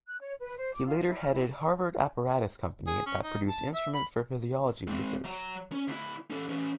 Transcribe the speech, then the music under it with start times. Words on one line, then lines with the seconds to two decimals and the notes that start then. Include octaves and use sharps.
He later headed Harvard Apparatus Company that produced instruments for physiology research.
0.06 F#6
0.20 C#5
0.39 B4
0.57 C5
0.74 D6
0.86 F4
1.06 E4
1.20 F6
1.32 E4
2.87 G#4
3.06 C#4
3.24 D#4
3.49 A5
3.74 E5
3.94 B5
4.88 G#3 C4
5.24 F#3 A#5
5.72 C#4
5.88 D2 E4
6.30 C#4 A4
6.49 E3 C#4